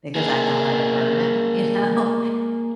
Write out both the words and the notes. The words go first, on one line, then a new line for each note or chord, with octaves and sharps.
because I thought I would hurt him, you know?
A#3 G#4